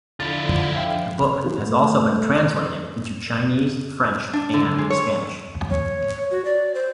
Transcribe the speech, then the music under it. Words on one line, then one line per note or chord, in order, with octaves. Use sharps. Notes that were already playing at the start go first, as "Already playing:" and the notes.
The book has also been translated into Chinese, French and Spanish.
D3 F3 E4 F4 A6
E5 F5 G5
A3
D4
D3
G#3
C#5
C#5
F#4
D5
C5